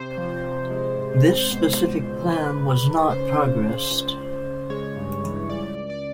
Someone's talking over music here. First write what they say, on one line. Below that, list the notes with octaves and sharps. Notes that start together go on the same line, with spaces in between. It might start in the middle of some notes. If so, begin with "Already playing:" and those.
This specific plan was not progressed.
Already playing: C3 C5
F3
C3
G#3
G#2
G#2
B2 C5
C#2
B2
G#2 B4
G#2
G#2
C#3 C5
C#3
C#3
C#2
C#2
C#2
G#3 C#5
G2
E3
C#2 D5
C#2
D5